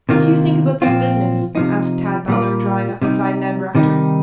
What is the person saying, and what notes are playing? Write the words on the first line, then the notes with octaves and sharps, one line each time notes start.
"What do you think about this business?" asked Tad Butler, drawing up beside Ned Rector.
C3 D#3 A#3 F4
A#2 F3 C4 F4
C3 F3 D#4
A#2 G3 A#3 F4
C3 G3 D#4
C3 D#3 G3 D#4